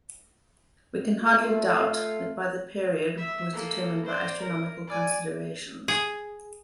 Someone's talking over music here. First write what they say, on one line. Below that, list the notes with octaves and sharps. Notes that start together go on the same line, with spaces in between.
We can hardly doubt that the period was determined by astronomical considerations.
A3 F4
E5
A#3 A4
C5 D5
A#4
D5 G#5
G#4